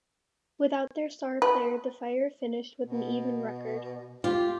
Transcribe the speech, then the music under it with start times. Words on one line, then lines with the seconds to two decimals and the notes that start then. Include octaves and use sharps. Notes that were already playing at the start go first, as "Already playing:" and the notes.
Without their star player, the Fire finished with an even record.
1.42 B4
2.84 B2
4.24 F4 G4